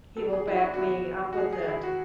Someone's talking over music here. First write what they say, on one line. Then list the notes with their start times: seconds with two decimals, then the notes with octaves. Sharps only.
he will back me up with it.
0.17 B2 A4
0.33 G#4
0.47 E4
0.59 E4
0.63 D4
0.74 F#4
0.77 B2 E4
1.33 F#4
1.37 A2 G#4
1.53 G#4
1.69 E3 E4
1.83 F#4